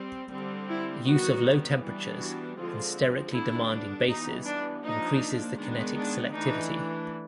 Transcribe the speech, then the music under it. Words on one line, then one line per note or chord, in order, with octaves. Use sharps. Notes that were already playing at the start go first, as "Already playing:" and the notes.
Use of low temperatures and sterically demanding bases increases the kinetic selectivity.
Already playing: G3 C4
D3 G3 C4
E4
D#3 G3 B3 F#4
E3 G3 B3 D4
F#4
D3 F3 G#3 C4 F4
D3 G3 B3 D4 E4
E3 G3 B3 D#4
D4
F3 A#3 D4 D#4
D#3 G#3 B3 D4
D4
E3 A3 D4 D#4